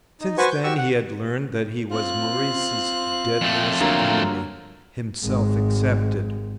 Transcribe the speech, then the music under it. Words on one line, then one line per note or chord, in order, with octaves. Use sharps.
Since then he had learnt that he was Maurice's deadliest enemy--himself excepted.
D#4
F#4 B4 C5 G#5 C#6
G6
F#4 G4 C#6 E6
F#5
C4 F4 F#6
F2 A3
D3 F#3 A#3
G#1 G#3